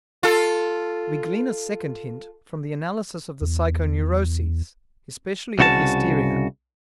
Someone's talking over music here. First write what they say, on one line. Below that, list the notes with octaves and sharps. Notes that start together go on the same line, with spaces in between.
We glean a second hint from the analysis of the psychoneuroses, especially of hysteria.
F4 A4
E2
C2 C#3 F#4 C5 A5